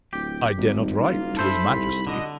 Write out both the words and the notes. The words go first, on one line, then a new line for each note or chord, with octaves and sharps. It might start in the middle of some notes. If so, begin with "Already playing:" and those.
"I dare not write to his majesty."
D1 G4
G#1 G3 D#4
F#1 A#3 F4
A4 C5 E5 B5
C2
D3 F#4 D#5